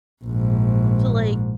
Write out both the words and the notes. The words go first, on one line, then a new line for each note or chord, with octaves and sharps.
to, like
A#1 G#2